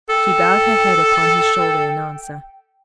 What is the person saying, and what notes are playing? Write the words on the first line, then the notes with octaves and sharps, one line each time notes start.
She bowed her head upon his shoulder in answer.
A4 G5